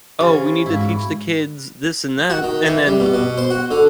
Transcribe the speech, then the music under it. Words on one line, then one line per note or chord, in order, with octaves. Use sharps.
"Oh, we need to teach the kids this and that." And then,
E3 C#4 F4 G4 C5 A6
G#2 G#3 E4 F#4 F5
F#4
D#3
E3
G3
B2
B2
C5
F#4
D3